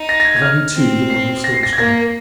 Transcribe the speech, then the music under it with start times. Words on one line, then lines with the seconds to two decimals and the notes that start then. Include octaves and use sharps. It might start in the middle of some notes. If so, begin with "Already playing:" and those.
Of any two the one will still be stronger.
Already playing: D#4
0.09 A#6
0.20 A#6
0.25 G#6
0.36 G#6
0.42 F6
0.76 C4
1.10 C7
1.44 A#6
1.53 C7
1.63 A#6
1.73 G#6
1.78 A#3 A#6